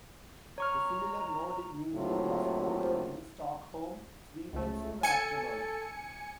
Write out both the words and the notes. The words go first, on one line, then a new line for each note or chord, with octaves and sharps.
The similar Nordic Museum, was founded in Stockholm, Sweden soon afterwards.
C#5 A#5 C#6 F6
D#2 A2 C3 F#3 F4
C#2 A3
A4 G#5 C#7